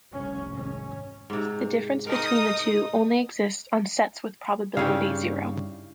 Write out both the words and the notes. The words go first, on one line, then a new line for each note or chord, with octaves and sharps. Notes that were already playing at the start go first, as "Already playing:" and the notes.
The difference between the two only exists on sets with probability zero.
F1 C2 C#4
G#1 C#4
G#2 C3
D#4 A#4 D#6
G2 C#3 D#4 E4 G4 D5 F5